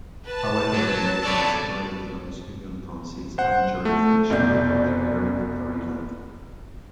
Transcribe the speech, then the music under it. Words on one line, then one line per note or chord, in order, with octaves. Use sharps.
However, they maintain semi-autonomous union councils and jurisdiction over their hereditary land.
B4 A5
F#3
B3 A4 C#5 D5
C5 F#5
A3
F1 B2 D5 G6